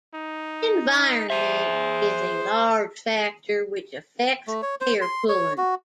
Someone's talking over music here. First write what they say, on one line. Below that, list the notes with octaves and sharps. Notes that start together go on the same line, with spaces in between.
Environment is a large factor which affects hair pulling.
D#4
G#4 C5 E5
A3
C#5
C5
C6
C#5
F#4